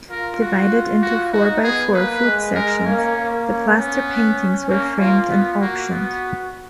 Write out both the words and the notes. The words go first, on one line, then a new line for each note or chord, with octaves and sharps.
Divided into four-by-four foot sections, the plaster paintings were framed and auctioned.
F4 A#4
F#4
F#4
D#4 F#4
B3 G#4
A#3 B4
G#3
G#3 A#4
A#3 C#4
A#3
C#4
B3 C#4
A#3 C#4
A#3 F4
B3
A#3 F#4
B3